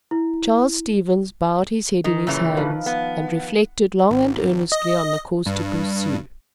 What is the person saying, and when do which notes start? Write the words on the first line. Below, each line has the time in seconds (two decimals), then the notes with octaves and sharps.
Charles Stevens bowed his head in his hands and reflected long and earnestly on the course to pursue.
0.11 E4
2.04 D#3
2.27 F#2 A#2 C#3 E3 E5
2.57 D#3 F3 B4
2.86 B3
4.10 G#1
4.72 D#5
5.46 G2